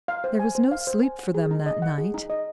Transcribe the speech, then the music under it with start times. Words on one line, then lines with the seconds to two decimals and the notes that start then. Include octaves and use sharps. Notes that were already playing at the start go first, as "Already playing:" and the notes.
There was no sleep for them that night.
0.08 F5
0.24 C5
0.39 G#5
0.55 C5
0.72 F5
0.87 C5
1.03 G#5
1.19 F#5
1.34 G#4
1.51 D#4
1.66 D#5
1.82 F#5
1.98 G#4
2.14 D#4
2.30 D#5